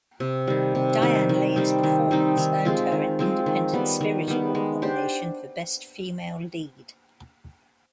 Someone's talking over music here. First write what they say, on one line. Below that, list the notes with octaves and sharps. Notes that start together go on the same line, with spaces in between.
Diane Lane's performance earned her an Independent Spirit Award nomination for Best Female Lead.
C3
D#3 G3
C3
D#3 G3
D#3
G3 C4 D#4
D#3
G3 C4 D#4
D#3
G#3 C4 F4
D#3
G#3 C4 F4
D#3
G3 B3
D#3
G3 B3
G#3
D4 G4 C5